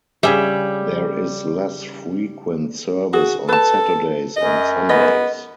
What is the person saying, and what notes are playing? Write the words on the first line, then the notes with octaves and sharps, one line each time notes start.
There is less frequent service on Saturdays and Sundays.
C#3 G3 G#4 E5
F#4 G#4
A4 B4 A5
F#2 D#5
B3 D#5